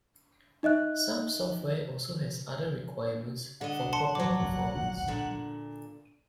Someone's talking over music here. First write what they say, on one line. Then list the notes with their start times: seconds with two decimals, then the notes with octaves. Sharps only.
Some software also has other requirements for proper performance.
0.63 D#4 D#5 E5 F#6
3.61 D3 D#5 F#5
3.93 A5 C6 C#7
4.15 A#2 F#3 D6
5.08 A#2 D3